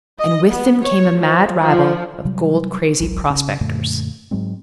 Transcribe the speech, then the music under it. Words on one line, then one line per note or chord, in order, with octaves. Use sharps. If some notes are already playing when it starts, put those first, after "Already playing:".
And with them came a mad rabble of gold-crazy prospectors.
D#5
B3
C#5
F3
F3
C3 F#3 G3
G#1 C#2 F#3
C#3 C#4
F#2 A#2 D3 A3
G#2 F#3 G#3 C4